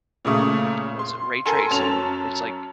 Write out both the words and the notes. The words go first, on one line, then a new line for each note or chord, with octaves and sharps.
was it ray tracing? It's like
A#2 C#3 A3 D#6
C6
A4 A#4 G#5 C6
F#2 C#4 A5 F7